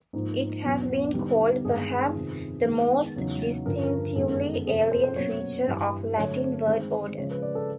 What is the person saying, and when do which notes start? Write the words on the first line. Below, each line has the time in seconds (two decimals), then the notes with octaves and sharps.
It has been called perhaps the most distinctively alien feature of Latin word order.
0.13 G#2 F3 A#3 D#4
0.64 E2 B2 F#3
1.14 D3 G3 B3 D#4
1.65 G2 D#3 G#3 B3 G#4
2.15 F2 C3 D#3
2.65 D#3 G#3 B3
3.16 E2 C#3 F#3 B3 D#4
3.65 G2 D3 F3 A#4
3.83 A#4
4.15 F#2 D#3 G#3 B3 A4
4.67 F2 C3 F3 G#4
4.79 A4
4.92 C5
5.04 C5
5.16 B2 F#3 A#3 C#4 C#5
5.67 G2 E3 G3
6.17 D3 F#3 A3 D4 C#5
6.67 D#3 G#3 C4
7.17 C#3 F3 G#3 C#5
7.31 B4
7.42 D5
7.55 A4